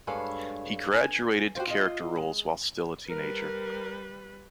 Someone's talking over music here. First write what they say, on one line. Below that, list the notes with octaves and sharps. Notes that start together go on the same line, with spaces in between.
He graduated to character roles while still a teenager.
G2 G#3 A4 B4 C#5 F5
G#5
F#4 G4 A#4 C5 F5
F4 D#5
G#3
G3 A#4 B4